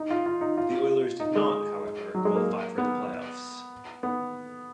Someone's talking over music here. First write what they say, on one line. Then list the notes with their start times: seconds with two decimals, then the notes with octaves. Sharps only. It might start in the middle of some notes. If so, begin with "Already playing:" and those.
The Oilers did not, however, qualify for the playoffs.
Already playing: D#4
0.11 F4
0.26 F4
0.41 D#4
0.57 F4
1.20 D#4
1.35 G#3
2.15 F#3
2.25 G#3
2.35 A#3
2.78 B3
4.03 B3